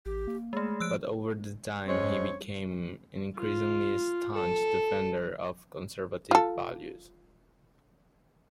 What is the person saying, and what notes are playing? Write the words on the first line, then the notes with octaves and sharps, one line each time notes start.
But over time, he became an increasingly staunch defender of conservative values.
A1 G4
A#3
G#3 A3 G#4
F3 E6 F#6 D7
F2 G#3 C4 C#4 C#5
F4
A4
F4 A4